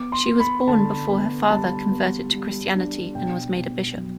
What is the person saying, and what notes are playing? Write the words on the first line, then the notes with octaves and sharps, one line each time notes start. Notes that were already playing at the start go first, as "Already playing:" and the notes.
She was born before her father converted to Christianity and was made a bishop.
Already playing: B3 D6
C6
B3
B5
D3 A5
B3
G3 A5
B3
G3
D4
B2 G5
B2
F#3